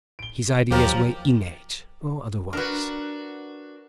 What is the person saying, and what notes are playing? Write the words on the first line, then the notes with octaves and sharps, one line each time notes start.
His ideas were innate--or otherwise.
D7 G7
D#2 F3 F#3 G4 A#4
D4 F#4 A#4 B4